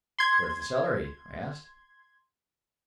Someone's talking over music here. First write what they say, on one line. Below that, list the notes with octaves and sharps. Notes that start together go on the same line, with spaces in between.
"What is the salary?" I asked.
C6 G#6